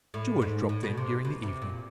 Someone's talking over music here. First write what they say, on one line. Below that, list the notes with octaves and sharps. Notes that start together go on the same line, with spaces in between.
George dropped in during the evening.
A2
G#2
A2
B2
C3
B2
C3
A#2